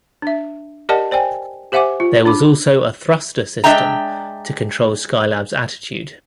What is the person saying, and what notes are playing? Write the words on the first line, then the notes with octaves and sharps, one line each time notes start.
There was also a thruster system to control Skylab's attitude.
D4 E5
G4 A#4 D5 D#5 F#5 A5
C5 D5 G5 G#5
G4 C5 E5 F#5 G#5 D6
F4
D4 B5 D6
G#3 D4 E5 G5 A#5